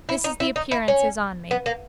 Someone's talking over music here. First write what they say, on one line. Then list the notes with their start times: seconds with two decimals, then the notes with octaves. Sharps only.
This is the appearance is on me.
0.09 E4
0.24 D#4
0.40 E4
0.56 D#4
0.71 E4
0.88 C#4
1.51 B3
1.66 A#3